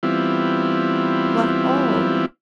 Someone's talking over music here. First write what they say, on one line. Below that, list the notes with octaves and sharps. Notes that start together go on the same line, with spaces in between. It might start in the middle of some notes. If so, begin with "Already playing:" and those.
But oh!
E3 G3 B3 C4 E4 F4